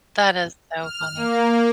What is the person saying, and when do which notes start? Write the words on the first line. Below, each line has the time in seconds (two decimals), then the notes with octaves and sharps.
That is so funny.
0.79 F6
1.16 A#3